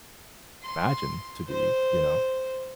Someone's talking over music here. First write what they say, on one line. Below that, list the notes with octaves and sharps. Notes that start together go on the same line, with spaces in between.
imagine to be, you know?
C6
C5